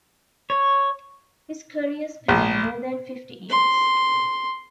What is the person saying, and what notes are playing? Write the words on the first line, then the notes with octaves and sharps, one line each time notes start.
His career spanned more than fifty years.
C#5
A#1
C6